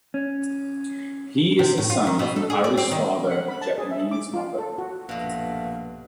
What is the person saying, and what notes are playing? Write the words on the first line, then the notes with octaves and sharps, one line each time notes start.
He is the son of an Irish father and a Japanese mother.
C#4
C3
A2
F4
D#3
B2
A4
G#4
D5
C4
D#3
F#5
B5
A5
G#4
E5
D6
F4
A4
F#4
A#1 G2 B2 A3 F5